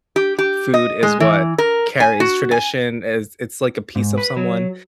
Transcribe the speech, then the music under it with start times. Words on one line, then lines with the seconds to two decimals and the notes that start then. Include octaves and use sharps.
food is what carries tradition, as it's like a piece of someone,
0.16 G4
0.39 G4
0.74 D#5
1.03 G#3
1.20 E3
1.58 A#4
2.00 G#5
2.20 F#4
2.51 G#5
3.96 G#2
4.18 B4
4.37 F#3